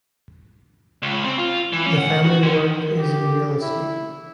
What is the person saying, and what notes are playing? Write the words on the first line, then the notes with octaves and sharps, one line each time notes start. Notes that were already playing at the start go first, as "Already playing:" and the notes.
The family work is in real estate.
C#2
C4
F4
E3
C#4
F#5
F#4
D3
G4
E4